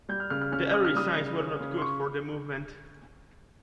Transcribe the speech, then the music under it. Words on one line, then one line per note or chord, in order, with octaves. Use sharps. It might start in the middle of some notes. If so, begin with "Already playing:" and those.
The early signs were not good for the movement.
G3 G6
F6
C#3 F6
F6
C#4 F6
C#3 D#6
F6
G3 D#6
C#3
C#4
C#3
C6
C#6